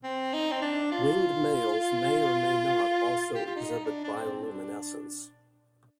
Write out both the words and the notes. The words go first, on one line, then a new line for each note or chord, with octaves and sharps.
Winged males may or may not also exhibit bioluminescence.
C4
D#4
C4
D4
F4
G4
F4
D#4
D4
D4
C4
D4